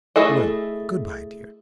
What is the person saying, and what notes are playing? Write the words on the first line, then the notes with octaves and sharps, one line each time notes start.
Well, good-bye, dear.
A3 E4 G#4 A4 D#5